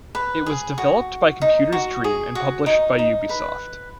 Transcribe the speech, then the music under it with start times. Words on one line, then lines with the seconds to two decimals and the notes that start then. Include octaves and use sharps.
It was developed by Computer's Dream and published by Ubisoft.
0.15 B4
0.46 G#4
0.78 F#4
1.42 D#4
1.72 F#4
2.04 G#4
2.35 F#4
2.66 D#4
2.99 D#4
3.29 B4